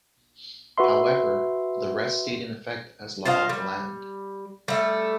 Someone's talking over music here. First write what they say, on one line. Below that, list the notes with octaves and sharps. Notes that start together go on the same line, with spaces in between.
However, the rest stayed in effect as law of the land.
F#4 B4 E5 C6
F4 C5 D#5 F5
G3
G3 A3